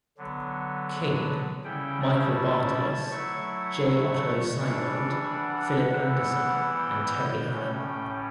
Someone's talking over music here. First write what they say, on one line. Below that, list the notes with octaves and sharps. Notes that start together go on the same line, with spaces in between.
King, Michael Bartalos, J. Otto Seibold, Phillip Anderson, and Terry Allen.
D3 F#3 B3
C#3 G3 C#4 E4 G5
A5
F#3 A3 E4 C#6
E3 G3 D4 C#6
F#5
E3 G3 B3 E4
G5
A2 G3 C#4